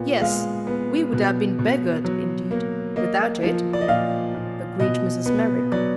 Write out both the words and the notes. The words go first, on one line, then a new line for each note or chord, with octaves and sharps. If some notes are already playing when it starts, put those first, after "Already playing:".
"Yes; we would have been beggared, indeed, without it," agreed Mrs. Merrick.
Already playing: A#2 B3
G#3 F5
B3
B2
B2
F#3
A#3
A#3 D#5
F3
D5
D#5
A#2 F5
A#2
B2 D#5
B3
F#3 D5